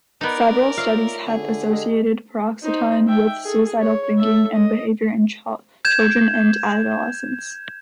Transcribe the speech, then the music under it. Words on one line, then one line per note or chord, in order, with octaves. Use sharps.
Several studies have associated paroxetine with suicidal thinking and behavior in children and adolescents.
B3 D#4 A#4 D5
F4 C#5 E5 F5
D3 G#4
G4 A4 D#5
D#4 C5
E5 G5
G#4 A4
C#5
A4 E5
D#5
G6 G#6 E7